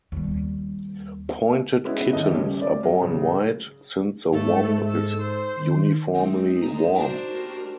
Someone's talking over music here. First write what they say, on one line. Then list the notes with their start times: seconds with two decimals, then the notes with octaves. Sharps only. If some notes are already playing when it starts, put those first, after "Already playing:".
Pointed kittens are born white, since the womb is uniformly warm.
0.12 D#2 G3
1.85 G#3 B3 C#4 E4
2.13 D#2 A4 D#5
2.31 G3 C#4
2.62 D5
2.83 F#3
3.02 C#3
4.33 G#2 A3 A4
4.87 A4 E6
5.21 C5
5.57 D#3
6.15 G#3 C4 D#4
6.62 G#5 A#5
6.95 D4 F#4 A#4 C5
7.34 A#3 G4